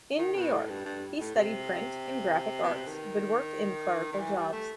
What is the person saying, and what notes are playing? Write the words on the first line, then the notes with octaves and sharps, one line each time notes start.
In New York, he studied print and graphic arts but worked in clerical jobs.
D#3
B2
A2
G2
G2
A2
C3
B2
C3
D#3
D#3
E3
G3
A3